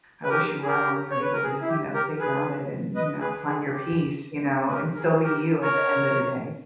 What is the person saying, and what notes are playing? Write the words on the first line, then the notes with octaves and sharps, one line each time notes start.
I wish you well and you're able to, you know, stay grounded and, you know, find your peace, you know, and still be you at the end of the day.
B4
G4 A#4
G#4
G4 A#4
C#5
B4
A#4
G#4
E4
G4
G4 A#4
G#4 B4
B4 D#5
G#4 B4
G#4
G4
B4
G4 A#4
A#4
G#4
G4 A#4
A#4 C#5